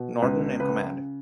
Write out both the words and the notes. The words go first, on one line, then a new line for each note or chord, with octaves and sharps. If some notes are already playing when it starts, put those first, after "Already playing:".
Norton in command.
Already playing: B2
C#2 B4
C#3 B4